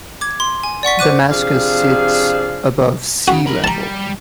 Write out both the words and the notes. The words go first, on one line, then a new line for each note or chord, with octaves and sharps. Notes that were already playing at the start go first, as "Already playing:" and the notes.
Damascus sits above sea-level.
D6 G#6
C6
G#5
D5 F#5 C#6 B6
C5 D6 F#6 D#7
C3 F3 D4 G#4 F5
C#3 F#4
A#4 B5
G3 A5 A#5